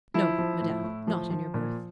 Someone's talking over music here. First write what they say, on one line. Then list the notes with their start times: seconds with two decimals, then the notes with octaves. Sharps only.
"No, madame, not in your berth."
0.14 F3 E4
0.38 F3
0.60 A2
0.84 A2
1.07 F3
1.30 F3
1.54 A#2